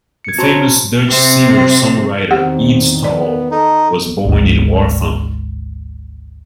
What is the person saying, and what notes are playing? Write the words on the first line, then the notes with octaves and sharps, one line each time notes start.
The famous Dutch singer-songwriter Ede Staal was born in Warffum.
G#6 C#7
C4 C#4 F#4 A5 A#5 C6
C3 C4
E2 D#3 C4 G4 F#5
B3 D5
D#4 A4
G#1 D2 G#2